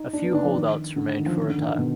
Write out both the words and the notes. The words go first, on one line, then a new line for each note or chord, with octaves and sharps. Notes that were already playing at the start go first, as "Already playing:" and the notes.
A few holdouts remained for a time.
Already playing: D#4
D4
B3
D#4
D4
F3
D#3
D3
D#3
F3
D#3
D3
D#3
D#3
B2